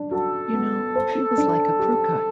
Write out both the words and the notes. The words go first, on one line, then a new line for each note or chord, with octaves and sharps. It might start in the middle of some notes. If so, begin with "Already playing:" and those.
You know, he was like a crew cut.
Already playing: D4
F#4 A4
B3
C5
D4
G4